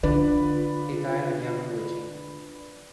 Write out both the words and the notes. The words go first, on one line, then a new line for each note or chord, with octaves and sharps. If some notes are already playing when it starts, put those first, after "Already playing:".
He died in Yamaguchi.
D3 D4 F4 B4 D5